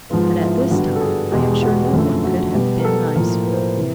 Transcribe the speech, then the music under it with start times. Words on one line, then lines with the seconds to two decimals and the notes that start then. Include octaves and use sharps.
But at this time I am sure no one could have been nicer.
0.10 G#2 F3 G#3 B3 F4
0.40 E4
0.71 G2 D3 G3 B3 F#4
0.96 A4
1.01 G#4
1.32 E2 B2 G#3 B3 G4
1.62 F#4
1.93 F#2 D3 F3 A3
2.24 F#4
2.54 B2 G3 B3 G4
2.79 A#4
2.85 A4
3.15 A2 F3 A#3 A#4
3.45 B4
3.53 C5
3.61 B4
3.77 C3 E3